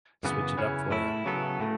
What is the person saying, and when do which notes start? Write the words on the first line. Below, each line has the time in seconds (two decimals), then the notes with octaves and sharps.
switch it up for ya.
0.23 F#2 C#3 E3 B3
0.57 E2 C#3 E3 C#4
0.90 A2 A3 E4
1.25 C#3 F#3 B3 A4
1.60 A2 A3